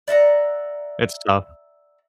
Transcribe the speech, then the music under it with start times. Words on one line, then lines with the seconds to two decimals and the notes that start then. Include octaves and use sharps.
It's tough.
0.08 D5 E5 F#5 A#5